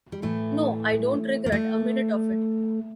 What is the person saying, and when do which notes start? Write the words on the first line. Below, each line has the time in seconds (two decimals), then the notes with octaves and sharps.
No, I don't regret a minute of it.
0.12 G3
0.22 A2 E3 A3
1.46 A#3
1.52 A3